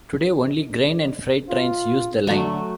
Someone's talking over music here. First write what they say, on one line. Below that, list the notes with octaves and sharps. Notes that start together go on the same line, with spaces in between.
Today, only grain and freight trains use the line.
F4
D3 F#3 A3